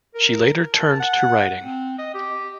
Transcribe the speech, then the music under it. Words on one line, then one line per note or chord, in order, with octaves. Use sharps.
She later turned to writing.
A#4
A5
F#5
C4
D#5
G4